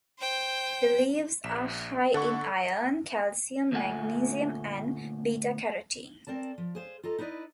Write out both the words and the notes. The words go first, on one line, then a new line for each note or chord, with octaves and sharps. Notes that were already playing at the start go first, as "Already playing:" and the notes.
The leaves are high in iron, calcium, magnesium, and beta carotene.
C5 G5
A#1 B6 E7
D3 A4 F#5 C#6
D2 A#2 A3 E4 F#5 G#5
C4 A#4 D5 A5
F3
G#4 C5 F5
F4 A4 D#5 A#5
D#4 E4 B4 D5 D#5